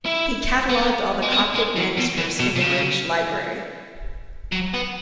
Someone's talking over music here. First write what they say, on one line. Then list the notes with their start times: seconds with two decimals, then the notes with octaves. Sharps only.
He catalogued all the Coptic manuscripts in the British Library.
0.06 E4
0.70 B3
1.22 G#3
1.33 B3
1.55 G#3
1.76 E3
1.97 B2
2.18 E3
2.39 B2
2.56 B2
2.61 C#3
4.52 F#3
4.74 B3